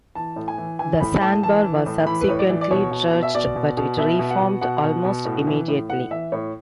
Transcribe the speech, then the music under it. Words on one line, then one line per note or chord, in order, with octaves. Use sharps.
The sandbar was subsequently dredged, but it reformed almost immediately.
E3 A5
A2
G#5
E3
E3 G#5
A2 B5
A2 A5
E3 A5
E3
A2
E3 B5
B4
A2 C#5
D5
E3
D5
B2 C#5
B2
B2
E5
B2 D5
B2
B2
B2 E5
B2
F#5
B2
B2 F#5
B2
B2
A2
E3
A2
A2 F#5
E3 E5
A2 C#5